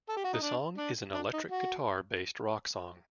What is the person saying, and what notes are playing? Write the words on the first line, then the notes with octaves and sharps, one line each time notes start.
The song is an electric guitar-based rock song.
A4
G4
F#4
D#4
D4
D4
D4
D#4
F#4